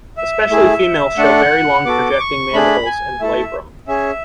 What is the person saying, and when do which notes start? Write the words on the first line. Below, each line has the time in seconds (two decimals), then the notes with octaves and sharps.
Especially females show very long projecting mandibles and labrum.
0.17 E5
0.50 A3 E4 G#4
1.17 A3 D4 A4 F#5
1.85 B3 F#4 A4 D6
2.19 C#6
2.53 A3 D4 G#4 B5
2.86 G#5
3.20 A3 E4 A4 E5
3.87 C#4 G#4 E5